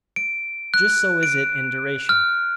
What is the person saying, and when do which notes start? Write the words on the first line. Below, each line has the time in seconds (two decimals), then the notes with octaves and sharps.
Just so is it in duration.
0.16 D7
0.74 F#6
1.23 D7
2.09 F6